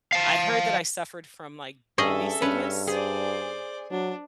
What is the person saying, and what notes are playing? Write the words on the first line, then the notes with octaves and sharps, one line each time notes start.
I I heard that I suffered from, like, beauty sickness
F5 A5
G2 C#4 G#4 A4 D#5 E5
G2 C#4 B4
G#4 C5 D5
F#3 D4